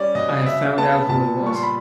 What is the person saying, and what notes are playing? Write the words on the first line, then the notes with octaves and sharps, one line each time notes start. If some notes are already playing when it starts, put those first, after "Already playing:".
I have found out who it was.
Already playing: G3 C#4 D5
B2 D#5
C#3 E5
B3 A5
A#2 A5
G3
C#6
C6
B5